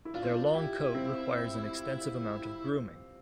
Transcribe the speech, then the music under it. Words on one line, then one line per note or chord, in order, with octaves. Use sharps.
Their long coat requires an extensive amount of grooming.
E4
D4 F4
C4
D4
D4
E4 G4
C4